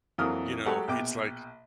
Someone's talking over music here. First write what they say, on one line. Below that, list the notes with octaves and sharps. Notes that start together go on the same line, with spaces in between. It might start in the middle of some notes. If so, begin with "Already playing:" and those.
you know, it's, like,
F2 E3 F#3 A#3 D#6 F6
F#3 G#3 A3 G4 A4 F#5
A#1 B2 G5 D6